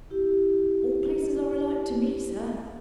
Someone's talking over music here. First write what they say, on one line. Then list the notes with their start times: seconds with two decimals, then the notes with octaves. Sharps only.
All places are alike to me, sir.
0.10 E4 G4